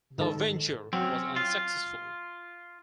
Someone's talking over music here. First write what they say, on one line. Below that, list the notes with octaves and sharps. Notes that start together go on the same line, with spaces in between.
The venture was unsuccessful.
G#2 D#3 A4
F#3 C4 C#4
F4